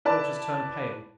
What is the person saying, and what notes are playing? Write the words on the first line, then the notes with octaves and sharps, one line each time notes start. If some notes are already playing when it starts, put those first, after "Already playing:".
Daughters turn pale.
E4 B4 D5 A5